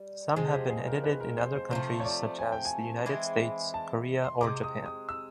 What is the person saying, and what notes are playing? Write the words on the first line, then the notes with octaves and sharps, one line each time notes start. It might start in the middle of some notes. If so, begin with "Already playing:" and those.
Some have been edited in other countries such as the United States, Korea or Japan.
Already playing: G3
C3 F3 G#3 G#4
G4
G#4
A#4
B4
A#4
C5
C5
C3 F3 A3 C5
C#5
D5
G#5
G5
G#5
E3 G#3 C4 E4
A5
C6
C3 E3 G#3 D6
D6
D#6
D#6
E6